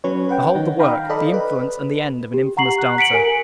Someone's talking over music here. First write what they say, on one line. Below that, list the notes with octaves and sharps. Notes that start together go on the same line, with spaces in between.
Behold the work, the influence, and the end of an infamous dancer!
F#3 C#4 B4 C#5
B4 F#5 G5
D#3 D#4
F5 G5 A#5 B5
A4 D5 D#5 B5
B4
G4
F#5 A#5 C#6 C7 F#7
F#6
B6 C#7 D7 F#7
A#4 G#5